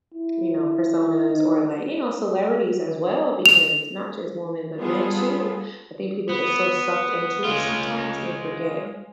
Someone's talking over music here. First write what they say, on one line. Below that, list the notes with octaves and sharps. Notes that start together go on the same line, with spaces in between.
you know, personas or, like, you know, celebrities as well, because not just women but men too. I think people get so sucked into it sometimes they forget
E4
D#4
F7
G3 B3 F4 G#4 A4
B3
G#3 F4